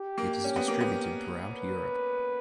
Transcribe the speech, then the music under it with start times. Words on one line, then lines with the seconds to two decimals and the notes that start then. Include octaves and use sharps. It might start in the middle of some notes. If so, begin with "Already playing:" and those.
It is distributed throughout Europe.
Already playing: G4
0.18 A#3
0.44 C#4
0.56 B3
0.68 A#3
0.81 B3
1.52 B4